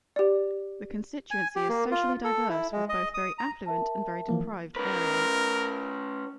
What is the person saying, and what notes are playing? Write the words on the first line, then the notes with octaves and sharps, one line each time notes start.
The constituency is socially diverse, with both very affluent and very deprived areas.
G4 D5
G#5
G4
A#3
F4
A4
E4
G#3
D#5
D#6
A#5
A#4 E5 A5
E3 F3 A#3
C#4 A#4 B4